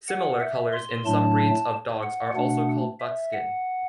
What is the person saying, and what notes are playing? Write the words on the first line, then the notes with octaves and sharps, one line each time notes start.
Similar colors in some breeds of dogs are also called buckskin.
F#5
E5
C6
A2 F#3 A3 D4 A5
F#5
B2 A3 D4 F#5
E5
F#5